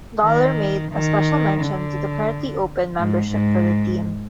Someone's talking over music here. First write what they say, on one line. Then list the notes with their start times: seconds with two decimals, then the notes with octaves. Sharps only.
Dollar made a special mention to the currently open membership for the team.
0.23 D#3
0.92 D#3
1.61 D3
2.98 G#2
3.31 G#2